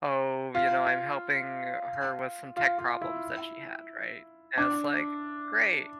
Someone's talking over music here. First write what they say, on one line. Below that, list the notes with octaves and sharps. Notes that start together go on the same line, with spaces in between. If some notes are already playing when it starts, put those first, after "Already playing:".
oh, you know, I'm helping her with some tech problems that she had, right, and it's, like, great,
F4
F4
F4
E4
D4